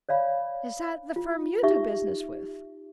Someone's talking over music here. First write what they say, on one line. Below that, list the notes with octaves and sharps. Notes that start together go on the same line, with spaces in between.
"Is that the firm you do business with?"
C#5 D5 F5 B5
F4
D#4 G4 E5 C#6